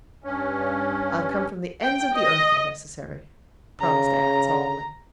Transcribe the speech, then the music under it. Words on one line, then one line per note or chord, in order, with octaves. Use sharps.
"I'll come from the ends of the earth if necessary," promised Anne solemnly.
G2 C#4
G5
D#5
C#3 A#5